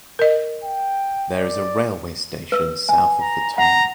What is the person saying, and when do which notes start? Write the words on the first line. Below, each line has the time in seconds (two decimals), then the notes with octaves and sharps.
There is a railway station south of the town.
0.19 A#4 D#5
0.64 G5
1.38 D5
2.52 B4 E6
2.89 G#5
3.21 A#5
3.58 F#5 A#5